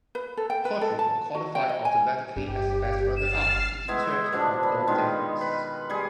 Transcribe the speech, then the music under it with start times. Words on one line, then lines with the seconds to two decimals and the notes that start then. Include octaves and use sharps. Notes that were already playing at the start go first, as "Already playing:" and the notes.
Portugal qualified automatically as best runner-up, beating Turkey on goal difference.
0.15 B4
0.37 A4
0.50 G5
0.65 B4
0.81 A4
0.99 A5
1.35 F#4
1.55 G5
1.69 D#5
1.85 G#5
2.36 G1 G2 G4
3.17 F6 A6 C7 E7
3.88 G#3 B3 E4 E5
4.32 B2 D3 F3 D4
4.63 B5
4.87 D#3 G#3 B3 F4
5.41 B4
5.90 G3 G#4